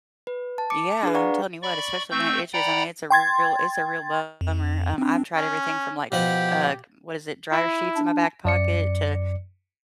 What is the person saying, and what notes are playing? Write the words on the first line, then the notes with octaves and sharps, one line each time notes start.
Yeah, I'm telling you what, especially when it itches, I mean, it's a real it's a real bummer. Um, I've tried everything from like, uh, what is it, dryer sheets in my back pocket to a
B4
A5
D6 C#7
D4 G#4 B4
D5 F5 F#5 A#5 C#6
D5 B5 C#6
A3 C4 C#6 E6 G6
D5 F#5 G5 A#5 B5
G5 C6 G#6 A6
F2
C4 D4
C#4
B2 F3 G4 F#5
E4
D4
F#2 D5 C#7